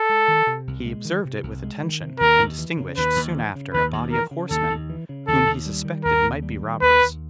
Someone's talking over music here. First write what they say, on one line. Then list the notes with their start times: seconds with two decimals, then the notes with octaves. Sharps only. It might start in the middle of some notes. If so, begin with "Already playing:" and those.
He observed it with attention, and distinguished soon after a body of horsemen, whom he suspected might be robbers.
Already playing: A4
0.09 G#3
0.28 D#3
0.47 C3
0.67 C2
0.86 G#3
1.05 D#3
1.25 C3
1.43 C2
1.63 G#3
1.82 D#3
2.01 C3
2.20 D#2 A#4
2.39 D#2
2.58 E3
2.78 C#3
2.97 D#2 B4
3.16 D#2
3.36 E3
3.55 C#3
3.73 D#2 B4
3.93 D#2
4.12 E3 A#4
4.31 C#3
4.50 D#2 A4
4.70 D#2
4.90 E3
5.09 C#3
5.28 D#2 A4
5.46 D#2
5.66 G3
5.85 D#3
6.04 D#2 A#4
6.24 D#2
6.42 G3
6.63 D#3
6.82 D#2 B4
7.01 D#2